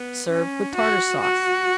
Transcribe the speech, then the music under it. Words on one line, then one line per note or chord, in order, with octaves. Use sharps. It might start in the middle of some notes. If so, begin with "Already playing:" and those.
Serve with Tartar Sauce.
Already playing: B3
C#4
F#4
F#4